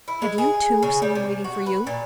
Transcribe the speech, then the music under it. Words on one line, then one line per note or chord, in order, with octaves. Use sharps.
"Have you, too, some one waiting for you?"
E4
G#3
G#4
C#3
G3
C3
F#4
B4
A#2